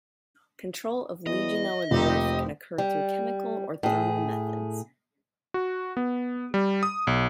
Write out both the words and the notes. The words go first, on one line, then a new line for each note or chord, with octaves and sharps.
Control of "Legionella" growth can occur through chemical or thermal methods.
E2 D#5
F1 A#2 C4 D#4 G4
G3
A2 G#4
F#4
B3
G3
D#6
B1